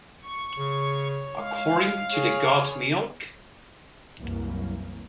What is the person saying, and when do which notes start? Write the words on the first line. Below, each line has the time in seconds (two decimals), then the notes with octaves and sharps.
According to the Got Milk?
0.23 C#6
0.58 C#3 C#5
1.36 G#3 F5
2.11 G#4 C#5
4.19 C2 F#2 E3 A#3